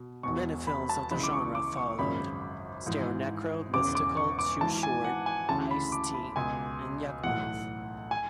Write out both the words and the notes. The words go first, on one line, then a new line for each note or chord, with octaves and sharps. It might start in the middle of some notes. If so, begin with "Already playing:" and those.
Many films of the genre followed, starring Necro, Mystikal, Too Short, Ice-T and Yukmouth.
Already playing: B2
E1 E2 B2 C#6
B5
A5
C#2 C#3 E3 B5
D6
C#6
D6
C#6
G#1 F#2 C#3 B5
G#1 G#2 E3
E1 E2 C#3 D6
D6
C#6
D6
G#1 G#2 E3 A5
G#5
F#5
G#5
D2 C#3 E3 A5
B5
D6
B5
C#2 B2 G#5
B1 A2 E3 F#5
G#5